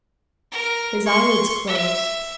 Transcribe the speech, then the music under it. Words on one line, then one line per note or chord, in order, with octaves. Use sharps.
His eyelids closed.
A#4
C6 C#6
E5